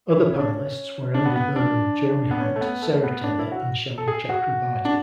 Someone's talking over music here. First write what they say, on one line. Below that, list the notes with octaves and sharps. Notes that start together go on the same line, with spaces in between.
Other panellists were Andy Burnham, Jeremy Hunt, Sarah Teather and Shami Chakrabarti.
E4
C#4
D4
C#4
D4
B3
B3
D4
B3
C#4
A3
B3
A3
B3
D4
E4
F#4
A4
G#4
F#4
D4